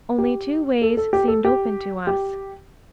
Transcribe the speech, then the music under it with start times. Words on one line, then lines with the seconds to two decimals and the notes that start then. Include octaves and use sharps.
Only two ways seemed open to us.
0.18 G4
0.82 A4
0.97 A4
1.13 G4
1.28 A4
1.45 G4
2.07 G4